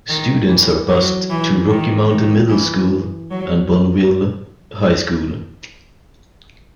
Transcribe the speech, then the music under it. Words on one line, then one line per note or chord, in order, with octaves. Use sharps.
Students are bussed to Rocky Mountain Middle School, and Bonneville High School.
D#3
E3
F#3
E3
D#3
D#3
E3
F#3